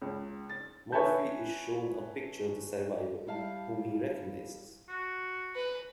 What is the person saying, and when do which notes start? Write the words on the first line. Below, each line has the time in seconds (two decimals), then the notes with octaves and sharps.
Murphy is shown a picture of the survivor, whom he recognizes.
0.02 C#2
0.50 A6
0.92 B4 C#5 E5 G#5 A5 G6
3.26 G3 E4 F5 A5
4.89 F#4
5.56 B4